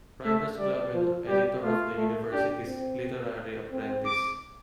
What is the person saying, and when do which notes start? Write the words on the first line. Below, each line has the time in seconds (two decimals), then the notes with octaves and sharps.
Writer's Club and editor of the university's "Literary Apprentice".
0.24 A3 E5
0.58 G3 D5
0.93 F3
1.28 G3 G4
1.63 A3 F4
1.97 A3
2.32 D4 G4
2.66 C4
3.71 C4
4.05 D6